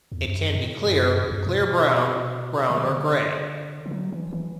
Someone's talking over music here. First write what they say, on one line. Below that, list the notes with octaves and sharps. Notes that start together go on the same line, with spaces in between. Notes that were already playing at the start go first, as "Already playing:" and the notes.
It can be clear, clear brown, brown or gray.
E2
F#2
A2
F#2
F#2
E2
F#2
B2
D3
B2
D3
E3
F#3
E3
E3